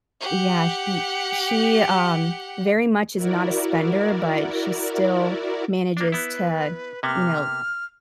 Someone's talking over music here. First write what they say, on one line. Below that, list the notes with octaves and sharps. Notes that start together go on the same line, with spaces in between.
Yeah, she she, um, very much is not a spender, but she still manages to, you know,
G4 F#5
E4 F#4 A#4 D5
A#3 D4 D5
B3 E4 B4
C3 A#3 B3 F6